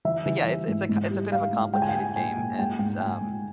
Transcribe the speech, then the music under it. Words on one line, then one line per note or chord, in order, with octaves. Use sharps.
but yeah, it's it's a co it's a bit of a complicated game and, um,
E3 E5
E3
G3
G#2
G#2
G3
G3 F5
G#2
G#3 G5
G#5
G5
G#3
A#2 G#5
A#2
G#3 G5
G#2 G5
G#2 G#5
G#2